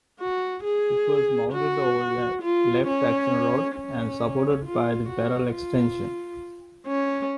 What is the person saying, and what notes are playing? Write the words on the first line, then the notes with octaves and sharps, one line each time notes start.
It was mounted over the left action rod and supported by the barrel extension.
F#4
G#4
F#4
F4
C#4
C#4
F4
F#4
F4
C#4